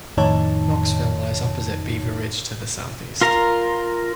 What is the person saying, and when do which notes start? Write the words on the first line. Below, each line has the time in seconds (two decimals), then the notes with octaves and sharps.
Knoxville lies opposite Beaver Ridge to the southeast.
0.17 F2 A2 D#3 D#4 C#5 A5
3.21 F4 A#4 A#5